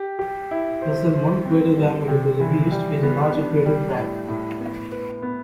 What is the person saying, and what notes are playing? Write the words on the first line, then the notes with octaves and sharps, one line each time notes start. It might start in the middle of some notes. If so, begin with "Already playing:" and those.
Less than one crater diameter to the east is the larger crater Bragg.
Already playing: G4
G4
E4
C5
C5
C4
G3
C3
E3
G3
B3
D4
G3
A2
A2
B3
B4
B3